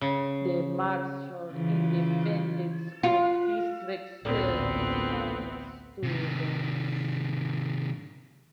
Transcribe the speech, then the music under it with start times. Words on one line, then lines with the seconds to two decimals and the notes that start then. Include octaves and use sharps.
The Marshall Independent School District serves area students.
0.01 C#3
1.52 C#3 E3 F4
3.03 F4
4.25 A1 D2 A#2 D3 B3 C4
6.03 C3 D#3